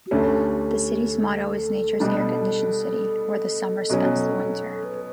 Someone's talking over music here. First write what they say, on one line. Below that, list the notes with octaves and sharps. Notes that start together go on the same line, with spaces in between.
The city's motto is nature's air conditioned city, where the summer spends the winter.
F#4
D2 D3 A3 C#4 G4
A4
B2 G3 D4
B2 F#3 C#4
B4